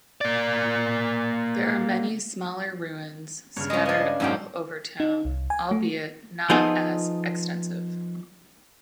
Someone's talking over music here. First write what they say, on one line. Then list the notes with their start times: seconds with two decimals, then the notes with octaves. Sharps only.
There are many smaller ruins scattered all over town albeit not as extensive.
0.21 A#3 D5
3.56 G2 C#3 C#5 F6
3.70 G#3 C#4 D#5
3.86 C#4 D4 B4 D#5 F5 G#5
4.00 D5
4.20 F2 G#2 B2 D#3 F#3 C#4 G5
5.00 D#4
5.25 C2
5.50 G#5
5.71 A3
6.50 F3 B3 D#4 F4 G#4 A4